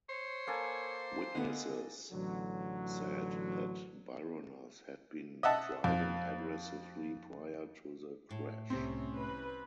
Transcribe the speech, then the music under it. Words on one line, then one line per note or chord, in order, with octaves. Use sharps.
Witnesses said that Bironas had been driving aggressively prior to the crash.
C5 C#5
A#3 A4 G#5
D3 B3 D#5
A1 D3 F#3
D#5 E5 F#5 A5
F2
A2
C2 C3 C4 C#4
B4